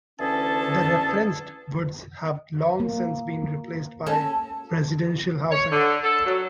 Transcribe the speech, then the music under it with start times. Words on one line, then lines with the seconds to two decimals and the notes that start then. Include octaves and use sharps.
The referenced woods have long since been replaced by residential housing.
0.20 D2 E3 C#4 G#4 A4 A5
2.80 A#3
4.07 C#4 A4
5.51 C#5
5.72 D3
6.04 A4
6.26 F#3